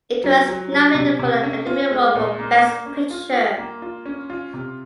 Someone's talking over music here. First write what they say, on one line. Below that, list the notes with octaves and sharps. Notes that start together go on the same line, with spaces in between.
It was nominated for the Academy Award for Best Picture.
F#3
F#3
F#3
C3
C3
C#4
F4
G#3
A#2
A#3
A#3
C#4
F4
F4
A#3
F4
C#4
F4
C3